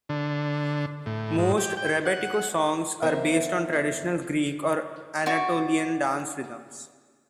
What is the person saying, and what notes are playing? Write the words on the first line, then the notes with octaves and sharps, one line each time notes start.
Most rebetiko songs are based on traditional Greek or Anatolian dance rhythms.
D3
A2
G#2
G4
G5
F#5
F#2 E3 B3 A#4 C5 E5
F#4 D5 C#6